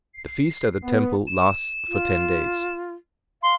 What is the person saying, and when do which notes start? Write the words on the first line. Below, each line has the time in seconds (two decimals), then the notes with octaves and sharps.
The feast at the temple lasts for ten days.
0.13 C7
0.82 B3
1.27 E7
1.89 F4
3.43 F5 C6